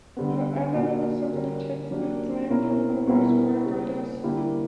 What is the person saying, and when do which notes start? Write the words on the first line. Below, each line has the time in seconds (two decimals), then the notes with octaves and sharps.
The island possibly takes its name from a Norse war goddess.
0.17 D3 G3 B3
0.75 A#2 A#3 D4 F#4
1.32 D3 G3 C#4 G4 A#4
1.91 F#3 A#3 D4 G4 A#4
2.49 B2 A#3 C#4 E4 A#4
3.07 B2 G3 B3 E4 A#4
3.66 C#3 G3 A#3 C#4 G4
4.23 D3 G3 A#3 E4 G4